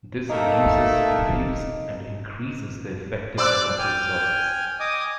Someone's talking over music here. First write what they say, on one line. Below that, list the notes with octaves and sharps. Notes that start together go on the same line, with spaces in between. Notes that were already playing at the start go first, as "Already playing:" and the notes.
This reduces refuse and increases the effectiveness of resources.
A3 A#3 D#4
C5 D5 E6 F#6
G5 G#5 F6
D#5 G#5 D6 D#6